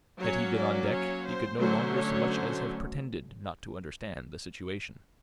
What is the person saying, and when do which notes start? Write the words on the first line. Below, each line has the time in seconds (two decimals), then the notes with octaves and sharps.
Had he been on deck, he could no longer so much as have pretended not to understand the situation.
0.19 F#3 A#3 C#4 C#5
0.54 D5
0.89 C#5
1.24 C5
1.59 D3 F#3 A3 C#4 C5
1.93 C#5
2.28 C5